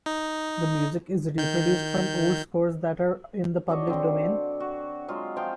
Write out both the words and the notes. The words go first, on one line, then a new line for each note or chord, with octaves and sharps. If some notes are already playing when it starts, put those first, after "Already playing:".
The music is reproduced from old scores that are in the public domain.
D#4
D#3 G6
D4 F#4 C#5 D#5
D3 C4
F#4
F#3 G#3 F4
F3 F5 G5